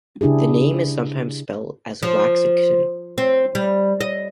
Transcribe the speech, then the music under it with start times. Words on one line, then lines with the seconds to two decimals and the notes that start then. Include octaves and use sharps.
The name is sometimes spelled as Waxaktun.
0.21 C#3 D4 E4 G4 G#4
2.03 F3
3.18 C4
3.55 G3
4.01 D#5